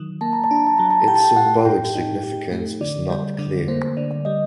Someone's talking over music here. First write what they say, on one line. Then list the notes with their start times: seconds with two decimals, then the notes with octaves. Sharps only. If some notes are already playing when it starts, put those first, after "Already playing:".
Its symbolic significance is not clear.
Already playing: D#3 F#3
0.21 A#3 A5
0.33 A#5
0.44 A5
0.51 D4 A#5
0.67 A5
0.78 F#3 A#5
0.90 A5
1.08 G4 G5
1.15 A5
1.24 G5
1.36 A3 F#5
1.65 A2 G5
1.95 D#4
2.23 G4
2.52 A3
2.81 D3 D5
3.10 G3
3.38 D3
3.68 A#3 C5
3.97 D3 D5
4.25 G3 D#5